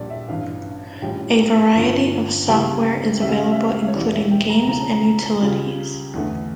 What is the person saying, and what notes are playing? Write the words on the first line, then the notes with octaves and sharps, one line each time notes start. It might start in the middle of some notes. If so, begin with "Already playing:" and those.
A variety of software is available including games and utilities.
Already playing: A#1 A#2 G3 D5
E5
A1 G2 E3 F5
A#1 A2 G3 C#4 F4 G5
G1 G2 F3 C#4 F4
C#2 C#3 G3 A#3 E4 G5
C#2 C#3 G3 C#4 E5
F5
E5
F5
E5
F5
E5
F5
E5
C#5
E1 E2 C#3 E3 G3 D5
E5
G5
A#5
C#2 C#3 F3 A#5
A5
A#5
C#2 C#3 G3 C#4 F4
E2 D3 A3